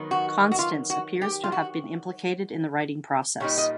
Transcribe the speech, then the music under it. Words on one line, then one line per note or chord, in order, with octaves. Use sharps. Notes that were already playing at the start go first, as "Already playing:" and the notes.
Constance appears to have been implicated in the writing process.
Already playing: D#3 F#3 B3 D#4
F#4
F#4
F4
F#4
G4
F4
F#4
A#2 G3 A#3 D#4 C#5
D#5